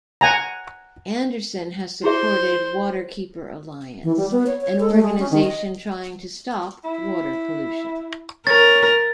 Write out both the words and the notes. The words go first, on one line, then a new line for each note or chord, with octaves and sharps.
Anderson has supported Waterkeeper Alliance, an organization trying to stop water pollution.
F#5 G#5 A#5
E4 G#4 C5 E5
E3
G3
B3
C#5
C#5
A4
A3
G#3
C#4
D#3
D#5
E4
C#4 A#4 A6